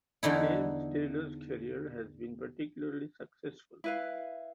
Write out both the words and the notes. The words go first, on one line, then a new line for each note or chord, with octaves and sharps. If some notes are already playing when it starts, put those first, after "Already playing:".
James Taylor's career has been particularly successful.
E2 D3 D#4 E4
E4 B4 F5